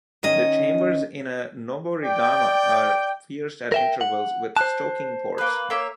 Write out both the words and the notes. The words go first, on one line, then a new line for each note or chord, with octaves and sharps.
The chambers in a noborigama are pierced at intervals with stoking ports.
D#3 C#4 D#5
D5 G5
A#4 E5 G5
F#5
C5 A5 F#6
A#3 B4
A#3 C#5 E5